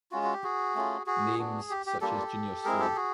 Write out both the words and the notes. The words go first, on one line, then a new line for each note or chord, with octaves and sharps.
Names such as Junior Seau.
G#3 C#4 F4 F#4
F#4
G4
F#4 G#4
A3 C#4 F4
F#4 G#4
B3 D4 F#4
G4
G4
G3 A#3 D4 F4 G4 A4
G#3 C4 E4 G#4 A#4
G4 A4
F#4 G#4